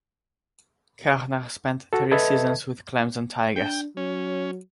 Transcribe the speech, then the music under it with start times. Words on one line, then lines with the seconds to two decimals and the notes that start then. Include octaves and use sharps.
Koerner spent three seasons with Clemson Tigers.
1.93 F#4 A4
2.11 A4 B4 D#5 E5 A5 G#6
3.56 D4 G5
3.97 F#3 C#4